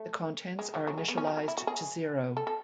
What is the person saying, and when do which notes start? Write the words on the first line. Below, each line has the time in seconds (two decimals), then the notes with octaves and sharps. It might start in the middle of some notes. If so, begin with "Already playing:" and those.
The contents are initialized to zero.
Already playing: A3
0.59 G#3
0.74 F#3
0.87 F#3
0.98 G#3
1.08 B3
1.17 C#4
1.27 F#3
1.37 F#3
1.48 E4
1.57 F#4
1.67 G#4
2.37 A4
2.47 A4